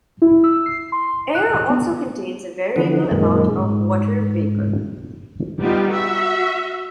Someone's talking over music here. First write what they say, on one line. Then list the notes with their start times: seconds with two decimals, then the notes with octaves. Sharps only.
Air also contains a variable amount of water vapor.
0.22 E4
0.44 E6
0.66 C7
0.92 C6
1.35 F#6
1.70 B3
2.76 D3 E3 F3 B3
3.11 F#2 A#2 D#3 G#3
3.59 G#2
5.61 G3 B3 D#4 F4 G4
5.90 F#4 E5